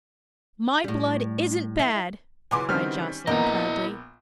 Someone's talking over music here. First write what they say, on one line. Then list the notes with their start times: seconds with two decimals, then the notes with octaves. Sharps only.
"My blood isn't bad," cried Joscelyn proudly.
0.84 A2 G3
1.79 E4
2.51 C#3 E3 F#3 G#5 C6 D6
2.69 D#3 G3 C4 C#4 F6
3.27 A#1 B3 E4 A#4 D#5